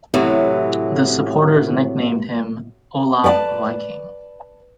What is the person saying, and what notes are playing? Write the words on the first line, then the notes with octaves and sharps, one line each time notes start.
The supporters nicknamed him "Olav Viking".
A2 C3 E3 F#3
B4 D5 G5 A5